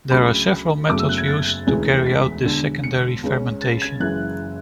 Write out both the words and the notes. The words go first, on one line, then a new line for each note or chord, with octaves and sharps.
There are several methods used to carry out this secondary fermentation.
D2 C#3 F#3 B5
F#1 E2 C#3 F#3 A3 D6
E6
F#6
G#6
A6
E1 D2 C#3 E3 G#3
B6
E1 E2 D3
C#7
C#2 C#3 G#3 C#4
A6
G#6
F#1 F#2 E3 G#3 F#6